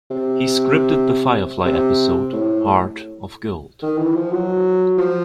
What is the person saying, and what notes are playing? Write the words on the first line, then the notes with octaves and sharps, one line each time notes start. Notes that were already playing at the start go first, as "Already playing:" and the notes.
He scripted the Firefly episode "Heart of Gold".
C3
C3
A2
D#3
E3
F3
F#3
F3